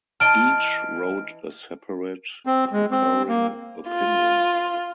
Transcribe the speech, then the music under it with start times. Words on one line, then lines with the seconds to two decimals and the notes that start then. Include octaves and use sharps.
Each wrote a separate concurring opinion.
0.20 E3 D#5 A5 F6 D7
2.47 C4
2.73 G#3
2.91 C4
3.29 A#3
3.89 F4